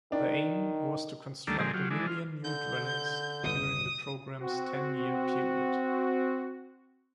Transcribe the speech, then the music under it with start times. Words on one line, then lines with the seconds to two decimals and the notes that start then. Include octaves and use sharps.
The aim was to construct a million new dwellings during the programme's ten-year period.
0.12 D#3 D4
1.47 D2 D#3 G3 A3 A#3 D4
1.59 A#2 D3 F3 G#3 C4 G4
1.74 F#3 F4 G4
1.90 E3 G#3 D4
2.07 F4
2.43 D3 G6
3.44 G1 E2 B2 D#6
4.41 C4 F#4